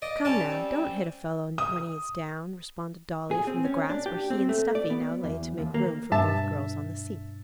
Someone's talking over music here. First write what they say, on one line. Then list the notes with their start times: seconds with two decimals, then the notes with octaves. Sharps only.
'Come now, don't hit a fellow when he is down,' responded Dolly from the grass where he and Stuffy now lay to make room for both girls on the seat.
0.02 D5 D#5
0.25 G3 C#4 D5 A5
0.52 C4
1.58 D#6
3.31 G#4
3.47 C4
3.65 C#4
3.90 D4
4.06 G4
4.30 C4
4.49 A3
4.75 D5
4.90 B3
5.24 E2
5.58 D#2
5.74 A#3
6.12 G2 B2 D4 E5 A5